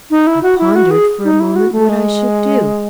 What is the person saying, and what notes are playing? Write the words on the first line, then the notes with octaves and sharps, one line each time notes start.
I pondered for a moment what I should do!
D#4
E4
F#4
E4
F#4
G#4
D#4
E4
F#4
A3
G#3